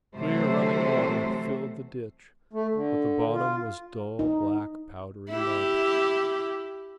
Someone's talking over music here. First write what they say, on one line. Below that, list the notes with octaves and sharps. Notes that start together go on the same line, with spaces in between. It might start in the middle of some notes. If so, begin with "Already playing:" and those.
Clear running water filled the ditch, but the bottom was dull black, powdery mud.
C3 E3 F#3 A3 A4 C5
A3
D3
F4
D#4
E4 G4